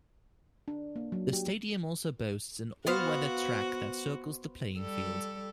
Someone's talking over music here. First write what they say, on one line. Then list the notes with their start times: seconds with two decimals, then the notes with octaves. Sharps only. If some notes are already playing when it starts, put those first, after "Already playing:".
The stadium also boasts an all-weather track that circles the playing field.
0.68 D4
0.96 A#3
1.12 F#3
1.33 G4
2.87 B3 F#4 C5 F5
4.79 G3 A4